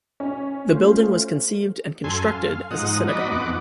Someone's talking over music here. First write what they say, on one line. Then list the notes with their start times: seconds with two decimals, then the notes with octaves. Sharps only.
The building was conceived and constructed as a synagogue.
0.20 C#4
0.69 A3 F4 C5
2.04 F#2 A4 G#5 C6
2.25 F5
2.49 F5
2.71 G#2 F3 D#4 F#5 D#6
3.08 D#4 F#4 D5 D#5 B5
3.32 F2 B3 F#5 D6